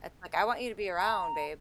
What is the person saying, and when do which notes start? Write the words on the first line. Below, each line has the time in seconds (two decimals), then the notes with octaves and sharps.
Uh like, "I want you to be around, babe."
0.98 A#5